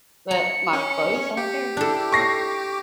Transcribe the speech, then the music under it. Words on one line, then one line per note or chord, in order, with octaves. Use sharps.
but my clothes, I don't care.
A#5 C#7
C#4
G4
D4 E4 A4
C#6 A#6 C7
D6